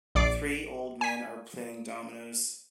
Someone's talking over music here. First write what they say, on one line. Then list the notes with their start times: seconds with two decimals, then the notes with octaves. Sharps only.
Three old men are playing domino 's.
0.15 A#1 D5 D6 C7 D7
1.01 G#5 B6